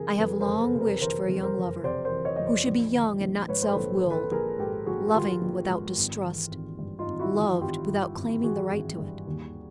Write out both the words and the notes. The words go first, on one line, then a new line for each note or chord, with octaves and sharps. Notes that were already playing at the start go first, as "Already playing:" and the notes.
I have long wished for a young lover, who should be young and not self-willed, loving without distrust, loved without claiming the right to it.
Already playing: F#1 C3 E3 G#4 A#4
F2 A4 B4
A#4 C5
F#1
A4 B4
C3 B4
A#4 C5
E3 A#4 C5
F2
A#4 C5
F#1
C3 C5 D5
A#4 C5
E3
C#5 D#5
F2 D#5
C5 D5
A#1
D#3
A#1
G#2 B4 C#5
C5
A4 B4
A#1
D#3
A4 B4
A#1 G#4 A#4
G#2 G4 A4
A#1 F#4 G#4
G#4
D#3 F4 G4
A#1
G#2
G#1
E3
G#1
G2
D#4 F4
G#1
E4 F#4
E3
G#1 F4 G4
G2
G#1
E3 F#4 G#4
G#1
G2
D#2